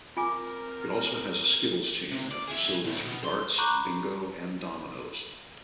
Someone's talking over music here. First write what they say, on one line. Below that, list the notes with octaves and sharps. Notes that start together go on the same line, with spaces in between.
It also has a skittles team and facilities for darts, bingo and dominoes.
C4 F4 A#4 G#5 D6
C3
D5
G#4 E5
D2 A2
B2
C6
A#5 B5 C#6 D6 F#6 G6